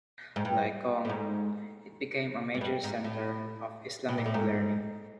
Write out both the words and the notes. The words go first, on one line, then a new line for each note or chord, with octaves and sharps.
Like Kong, it became a major center of Islamic learning.
G#2
G2
A2
G#2
G#2
G2
G#2
A2
B2
A#2
A2
G#2